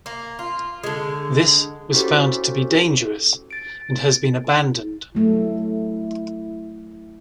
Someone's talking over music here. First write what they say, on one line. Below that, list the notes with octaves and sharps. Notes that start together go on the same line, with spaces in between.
This was found to be dangerous, and has been abandoned.
A#3
F4
D3 G#3
C#4 E4 F#4 G4 A4 C5
A6 D7
F#3 A3 E4